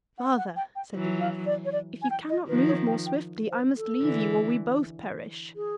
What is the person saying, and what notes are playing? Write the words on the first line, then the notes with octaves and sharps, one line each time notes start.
'Father,' said the youth, 'if you cannot move more swiftly, I must leave you, or we both perish!'
F#5
F#5
G5
G5
E3 F#3
F5
D5
C#5
D5
G#5
G5
D#5
D#3 F3 B4
C#5
G5
G5
C5
A4
D3 E3
G#4